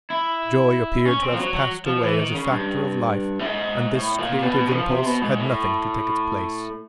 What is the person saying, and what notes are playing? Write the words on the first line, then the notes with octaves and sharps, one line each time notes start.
Joy appeared to have passed away as a factor of life, and this creative impulse had nothing to take its place.
E4
C#4
C4
F3
F#3
F#3
F3
E3
D#3
C#3
G2
A2
G#2
A2
A#2
B2
B2
F3
C3
B2
G#2
A2